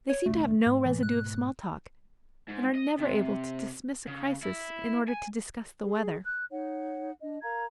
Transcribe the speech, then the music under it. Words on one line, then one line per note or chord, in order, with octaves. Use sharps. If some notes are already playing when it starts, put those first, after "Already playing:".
They seem to have no residue of small talk, and are never able to dismiss a crisis in order to discuss the weather.
C#5
D#1 C2 A3 D4
G#2
G#2 B2 E3 A3
F#6
G#2
D#5
C3
C#3
E4
G#5
G#4
F#6
D#4 C#5 F#5
D4 D#5
A#4 F5 A#5 G#6